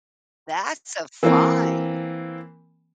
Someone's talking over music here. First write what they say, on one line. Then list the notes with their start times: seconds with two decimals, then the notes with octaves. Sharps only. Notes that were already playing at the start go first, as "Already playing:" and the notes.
That's a fine.
1.23 E3 A#3 C4